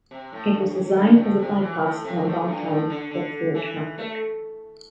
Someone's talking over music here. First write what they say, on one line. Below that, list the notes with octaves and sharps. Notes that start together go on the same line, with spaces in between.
It was designed as a bypass around Downtown for through traffic.
C3
A2
G2
G2
A2
G2
A2
C3
E3
A2
C3
A2
A2
G2
A2
D3
D3
E3
A3